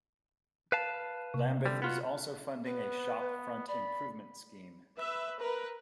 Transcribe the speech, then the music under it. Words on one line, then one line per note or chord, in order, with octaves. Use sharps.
Lambeth is also funding a shop front improvement scheme.
B4 F5 A5
C3
D3 G3
B3 F4 F#4
B3 B4
D5 B5
B4 E5
A#4 B4